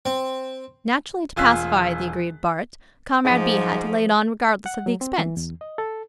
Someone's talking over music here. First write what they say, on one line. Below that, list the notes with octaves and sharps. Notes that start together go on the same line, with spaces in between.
Naturally, to pacify the aggrieved bart., Comrade B. had to lay it on regardless of expense.
C4
E1 F4 G#5 E6 F#6 B6
G#2 F3
F#5
F#3
C4
E3
E2
D#5
A4